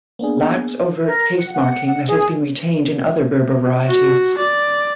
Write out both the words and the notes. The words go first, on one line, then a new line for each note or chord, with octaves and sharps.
Lacks overt case-marking that has been retained in other Berber varieties.
A#3 B3 D4 G#4
A#4
F#5
F#5
F#5
G#4
F#4
D5